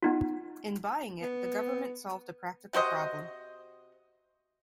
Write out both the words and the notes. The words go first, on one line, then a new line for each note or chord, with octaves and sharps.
In buying it, the government solved a practical problem.
B3 D#4 F4
B3
C3 F#4 C5 D#5